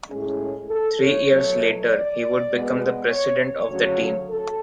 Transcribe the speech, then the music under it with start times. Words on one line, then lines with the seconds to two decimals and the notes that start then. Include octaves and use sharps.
Three years later he would become the president of the team.
0.09 A2 G#3 C#4 G#4
0.69 A4
0.99 C#5
1.29 B2 F#3 A3
1.89 D5
2.49 B2 G#3 B3
3.09 C#5
3.40 C#5
3.69 D2 C#3 F#3
4.29 A4